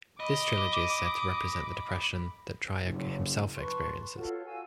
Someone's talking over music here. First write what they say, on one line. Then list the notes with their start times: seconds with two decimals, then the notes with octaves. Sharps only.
This trilogy is said to represent the depression that Trier himself experiences.
0.20 D#5 B5 D6
2.82 F#1
3.54 B4 A5 C6 C#6
3.89 C6
4.16 F4 F#4 A4 C#5
4.45 F#4 F5 G#5 E6